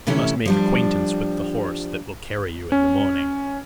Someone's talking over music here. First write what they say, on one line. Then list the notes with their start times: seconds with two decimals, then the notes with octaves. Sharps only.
"You must make acquaintance with the horse that will carry you in the morning!"
0.07 C3 E3 A3 C#4 E4
0.45 F3 G3 D4
2.72 C#4